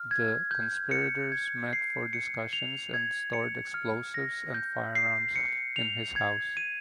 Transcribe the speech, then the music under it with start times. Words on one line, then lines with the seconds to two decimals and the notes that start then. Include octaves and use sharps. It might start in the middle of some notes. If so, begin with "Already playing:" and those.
The conspirators met for discussions and stored explosives and firearms in his house.
Already playing: F6
0.11 G#6
0.51 G6
0.91 C#7
1.32 G#6
1.73 C7
2.13 C#7
2.53 F7
2.94 G#6
3.33 C#7
3.74 F6
4.14 A#6
4.54 G6
4.95 C7
5.36 C#7
5.76 F7
6.16 G#6
6.57 D#7